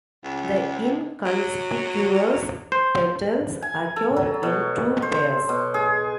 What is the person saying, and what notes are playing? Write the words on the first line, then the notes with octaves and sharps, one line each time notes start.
The inconspicuous petals occur in two pairs.
C#2
F#3
C5
G#5
A4
F#3
B2
C5
B2
G#4